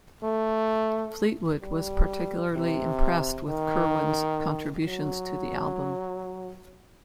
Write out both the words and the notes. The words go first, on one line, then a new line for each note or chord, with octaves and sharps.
Fleetwood was particularly impressed with Kirwan's contributions to the album.
A3
G3
C3
D#3
F#3